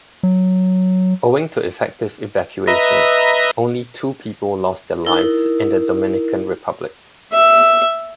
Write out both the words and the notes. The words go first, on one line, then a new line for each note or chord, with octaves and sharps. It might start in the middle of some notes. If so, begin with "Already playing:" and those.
Owing to effective evacuations, only two people lost their lives in the Dominican Republic.
F#3
B4 D#5 E5 A#5
D#4 E4 A#4
E5